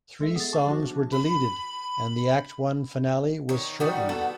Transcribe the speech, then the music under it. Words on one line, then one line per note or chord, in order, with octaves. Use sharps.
Three songs were deleted, and the Act One Finale was shortened.
G#3 A4 E5
B3 G#4 A6
A5 C#6 D6
F3 D4 F#4
B5
D#3 C#5
E3 G3 D#4 F#4
B3 F#4 A4